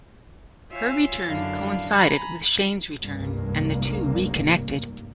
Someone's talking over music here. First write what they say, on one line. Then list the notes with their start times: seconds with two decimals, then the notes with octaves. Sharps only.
Her return coincided with Shane's return and the two reconnected.
0.71 F4 C#5 E5 F5 G#5
1.26 F#2 D3 D4 E4 F5
1.92 G#5 A#5 B5
2.99 F1 C2 G2 A#3